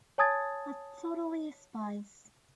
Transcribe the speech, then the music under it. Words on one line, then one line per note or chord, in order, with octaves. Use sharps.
A Totally Spies!
C#5 G#5 A5 D#6 G#6 A6